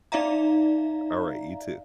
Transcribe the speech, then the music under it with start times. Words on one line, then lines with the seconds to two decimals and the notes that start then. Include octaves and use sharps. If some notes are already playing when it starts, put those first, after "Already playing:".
Alright, you too.
0.12 D#4 D5 E5 F5 A#5